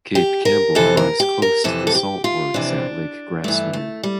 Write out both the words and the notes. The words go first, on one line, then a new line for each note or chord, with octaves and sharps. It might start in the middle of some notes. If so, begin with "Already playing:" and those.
Cape Campbell lies close to the salt works at Lake Grassmere.
G4
A#4
F2 C3 E3 A4
A#4
G4
A#4
F2 C3 E3 A4
A4
G4
F4
F2 C3 E3 D4
G2 E3 A3
A3
G3